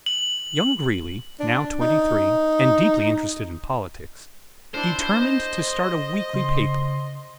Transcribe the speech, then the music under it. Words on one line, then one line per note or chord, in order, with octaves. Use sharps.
Young Greeley, now twenty-three, and deeply interested in politics, determined to start a weekly paper.
F#7
D4
D#4
D4 E4 C5
D#5
C#3 C6